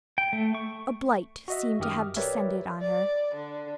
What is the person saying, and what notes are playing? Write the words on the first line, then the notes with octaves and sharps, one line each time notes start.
A blight seemed to have descended on her.
G5
A3
C#6
F#4 D#5 E5
F#2 D#3 G4 D#6 F6
G4 A#4 B4 C#5 D5 E5
D5
D3